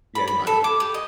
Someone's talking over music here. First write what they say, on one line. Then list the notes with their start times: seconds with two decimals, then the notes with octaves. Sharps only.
Yeah, no, I can
0.15 B5
0.28 B5
0.47 A4
0.64 D6
0.80 G4
0.94 D#5